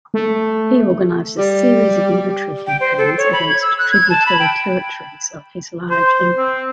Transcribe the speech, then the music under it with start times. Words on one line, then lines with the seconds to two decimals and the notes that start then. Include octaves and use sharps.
He organised a series of military campaigns against tributary territories of his large empire.
0.14 A3
1.38 G3
2.67 G5
2.80 C5
2.98 A4
3.17 C#5
3.33 B5
3.50 G#6
3.62 E6
3.79 F#6
3.92 G#6
4.10 A5
4.26 B5
4.39 G5
5.90 C5
6.38 C4